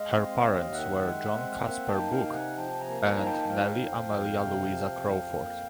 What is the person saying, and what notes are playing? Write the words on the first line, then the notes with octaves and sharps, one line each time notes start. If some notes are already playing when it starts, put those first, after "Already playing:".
Her parents were John Casper Buch and Nellie Amelia Louisa Crawford.
Already playing: G#3 D#5 F5
C4
D#2
D#3 E5 F#5
G#3
C4
A#3 E5 F#5
G5 A5
D#4
F5 G5
C3 G5
F#5 G#5
F3 G5 A5
G#5 A#5
A#3
G#5 A#5
D#4
G5 A5
G#5
F3 F5 G5
F2
F2
C3
F3
F2
A#3